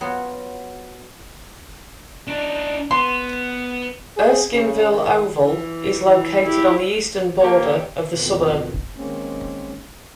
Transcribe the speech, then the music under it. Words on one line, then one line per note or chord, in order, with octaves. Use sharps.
Erskineville Oval is located on the eastern border of the suburb.
F#3 B3 F4
D4 D#4
B3 C6
G#4
C#3
D#3
E3
E3
E4 G4
A#3 G4 C#5
F2 B2 D#3
D#3 G#3 A#3 C4 C#4